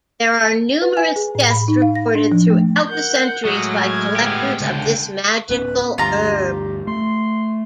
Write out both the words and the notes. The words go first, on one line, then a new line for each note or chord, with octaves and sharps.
There are numerous deaths reported throughout the centuries by collectors of this magical herb.
B4
G#5
G#4
A2
B5
D#4
F5
A#6
D4
F3
A3
A#4 F#5 G6
A2 F#3 G#3 F#5 D#6 F6
G#6
B3 G4
C#2 D3 G5
D1 B3 C#4 B4
D2 G2 F4 G4 A#5
A3 C6